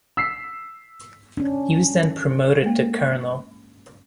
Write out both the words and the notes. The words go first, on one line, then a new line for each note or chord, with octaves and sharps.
He was then promoted to colonel.
E6 B6 C7
C#4 D4
G#3 A#3